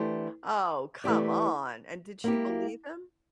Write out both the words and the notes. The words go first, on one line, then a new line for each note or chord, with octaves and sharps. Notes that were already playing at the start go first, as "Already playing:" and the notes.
Oh, come on. And did she believe him?
Already playing: E3 A3 D4 G4 C5
E3 A3 E4 G4 D5
A#3 E4 G4